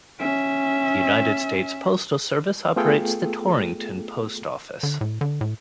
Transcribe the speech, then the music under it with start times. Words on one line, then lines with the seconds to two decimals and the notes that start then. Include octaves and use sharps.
The United States Postal Service operates the Torrington Post Office.
0.19 C#4 E5
2.76 A3 B3 F4 G#4 A4 G5
4.83 D3
5.01 A2
5.21 D3
5.41 A2